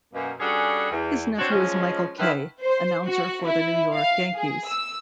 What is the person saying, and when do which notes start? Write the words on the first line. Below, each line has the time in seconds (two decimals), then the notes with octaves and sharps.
His nephew is Michael Kay, announcer for the New York Yankees.
0.14 F#2 B2 A#3
0.39 G3 C#4 D4 F#4 G#4 A4
0.90 E2
1.38 C4 D4 F#4 C5 C#5
1.51 F3 G#3 C#4
2.18 D3 D#3 E4 F4 B4
2.62 C5
3.05 F#4
3.44 E4
3.95 F5
4.35 G#4
4.66 E6